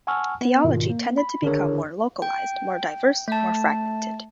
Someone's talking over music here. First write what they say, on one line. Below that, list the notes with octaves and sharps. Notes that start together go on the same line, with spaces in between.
Theology tended to become more localised, more diverse, more fragmented.
F#5 G#5 A5 C#6 E6 F6
B3
G#2 B2 D#3 F4
A#3
B5
D3 D#3 D4 G#4 A#4 C#5
G5
A3 A5